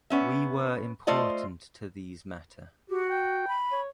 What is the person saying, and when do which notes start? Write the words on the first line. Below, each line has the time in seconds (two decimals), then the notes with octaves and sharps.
We were important to these matter.
0.10 B3 C#4 E5
1.07 A3 F4 C5 D5 D#5
2.90 F#4 G4
3.07 G5
3.48 B5
3.72 C#5